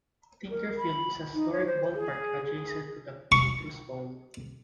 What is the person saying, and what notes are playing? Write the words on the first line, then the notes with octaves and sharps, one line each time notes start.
Tinker Field is a historic ballpark adjacent to the Citrus Bowl.
A#4
B5
D#4
C#5
C5
G#4
G#4
C#6